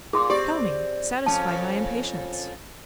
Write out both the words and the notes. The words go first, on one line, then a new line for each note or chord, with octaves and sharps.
"Tell me; satisfy my impatience."
A#2 G#4 C6 D6
C4 G4 D5
F2 C#4 A5